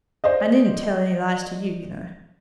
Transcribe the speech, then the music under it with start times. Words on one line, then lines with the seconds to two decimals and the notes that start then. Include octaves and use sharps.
I needn't tell any lies to you, you know.
0.24 C5 D5 D#5